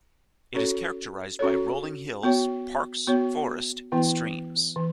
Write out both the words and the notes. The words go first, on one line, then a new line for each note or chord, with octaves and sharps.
It is characterized by rolling hills, parks, forest, and streams.
C#4 F#4 A4 C#5
C#4 F#4 A4 C#5
B3 F#4 C#5
B3 F#4 C#5
E3 B3 E4
E3